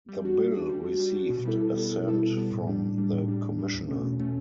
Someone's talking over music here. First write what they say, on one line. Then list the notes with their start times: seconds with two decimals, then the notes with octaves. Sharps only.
The bill received Assent from the Commissioner.
0.09 G3
0.24 D4 F#4
0.39 G3
0.54 D4 F#4
0.69 G3
0.84 D4 F#4
1.00 G3
1.15 D4 F#4
1.30 B2
1.45 G3 B3 E4 A4
1.61 B2
1.75 G3 B3 E4 A4
1.91 B2
2.06 G3 B3 E4 A4
2.22 B2
2.36 G3 B3 E4 A4
2.52 A2
2.67 G3 D4
2.82 A2
2.98 G3 D4
3.13 A2
3.28 G3 D4
3.43 A2
3.58 G3 D4
3.74 E2
3.89 B2 A3 C#4
4.04 E2
4.19 B2 A3 C#4